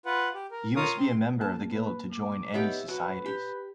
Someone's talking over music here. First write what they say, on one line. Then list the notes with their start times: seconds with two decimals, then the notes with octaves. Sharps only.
You must be a member of the Guild to join any societies.
0.05 F4 B4 F#5
0.34 G4
0.51 A#4
0.76 F4 A#4 C#5 F5 D#6
0.98 C4 C6
1.41 A#3 A5
1.72 B4
2.12 D6
2.54 B3 D#4 G4 C#5 E5
2.88 F#3 F#4 B4
3.26 G4